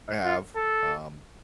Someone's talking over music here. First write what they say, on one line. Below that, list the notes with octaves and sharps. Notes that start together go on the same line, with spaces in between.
I have, um,
F4
A4